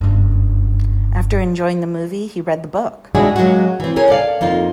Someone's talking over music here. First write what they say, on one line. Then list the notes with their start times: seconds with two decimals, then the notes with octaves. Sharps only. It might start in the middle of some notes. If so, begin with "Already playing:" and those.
After enjoying the movie, he read the book.
0.01 F#1 G2
3.15 G3 G#3 D4 E4 F#4 G#4
3.36 F#3 G#3 A#3 C#4 F#4
3.80 E3 C4
3.96 C#4 G#4 A#4 G#5
4.09 A4 D5 F5
4.41 F2 A#3 D#4 F4